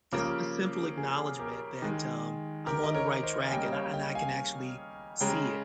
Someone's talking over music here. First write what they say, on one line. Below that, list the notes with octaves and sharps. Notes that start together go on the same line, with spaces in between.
just a simple acknowledgement that, um, I'm on the right track and I and I can, actually, see it.
C#3 F3 A#3 G4
G#4
G4 A#4
D#3 G#3
G4 A#4
D#5
A#4 C#5
C5 D#5
G#5
C#3 G3 A#3 D#5 G5
C#5 F5
D#5 G5
F5 G#5
C#3 G#3 G5 A#5